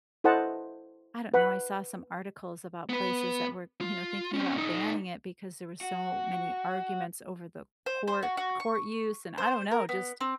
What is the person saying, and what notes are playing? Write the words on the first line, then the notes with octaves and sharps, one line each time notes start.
I don't know, I saw some articles about places that were, you know, thinking about banning it because there were so many arguments over the court court use, and I don't know, just
E4 A4 C5 D#5 F#5 A5
B4 F#5 B5
B3 B4
F4
C4 C#4
A#2 D#4
F#4
C5
C5
F#4
F#4
C#6
C5
A#4
B3
C4